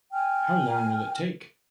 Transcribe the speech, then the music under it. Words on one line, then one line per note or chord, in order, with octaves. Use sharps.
How long it will take?
G5 G#5 F6